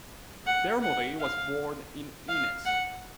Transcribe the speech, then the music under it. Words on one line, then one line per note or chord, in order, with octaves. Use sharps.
Dermody was born in Ennis.
F#5
F#5
F5
F5
F#5